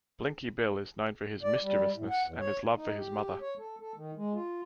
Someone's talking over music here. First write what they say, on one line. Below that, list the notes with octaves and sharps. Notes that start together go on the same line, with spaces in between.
Blinky Bill is known for his mischievousness and his love for his mother.
D5
G3
A2
F#5
E2
C#5
D#4
G4
C#5
A4
A4
D#3
G#3
F4